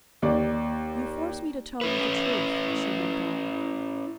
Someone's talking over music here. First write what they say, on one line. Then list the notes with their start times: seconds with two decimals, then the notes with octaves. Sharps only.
"You force me to tell you the truth," she went on.
0.22 D#2 D5
1.81 C#4 E4 B4